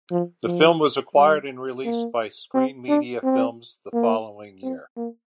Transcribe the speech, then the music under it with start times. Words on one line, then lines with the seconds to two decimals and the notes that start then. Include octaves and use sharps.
The film was acquired and released by Screen Media Films the following year.
0.11 F3
0.46 F3
1.15 G3
1.85 A#3
2.54 C4
2.89 D4
3.24 C4
3.93 A#3
4.63 C4
4.97 A#3